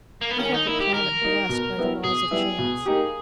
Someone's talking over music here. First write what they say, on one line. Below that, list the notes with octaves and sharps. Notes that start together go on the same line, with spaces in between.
They have a planet blessed by the laws of chance.
A#3
B3
D#3 C#4
D#4
A#3 D#4 E4
G4
D#3 A#4
A#3 D#4
B2
G3 B3 E4
B2 G#4
G3 B3 E4
B2
A#3 D#4 G4